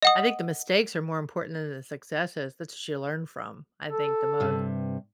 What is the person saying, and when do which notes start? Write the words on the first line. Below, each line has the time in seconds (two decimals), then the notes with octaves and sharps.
I think the mistakes are more important than the successes, that's ya learn from, I think, the most
0.03 D#5 F#5 D#6
3.88 A4
4.40 G2 C3